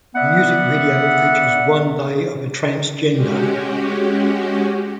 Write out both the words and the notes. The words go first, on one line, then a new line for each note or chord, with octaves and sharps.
The music video features one day of a transgender.
B3 D5 E5 F#5
G#3 C#4 F#4 G4